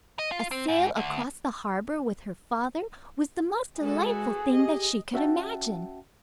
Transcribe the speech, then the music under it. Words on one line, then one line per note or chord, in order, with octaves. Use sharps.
A sail across the harbor with her father was the most delightful thing that she could imagine.
D#5
F4
C4
G#2
D2
G#3 F#4 G#4 A4 B4
G4 D#5
C#4 F#4 E5 F#5 G5 A5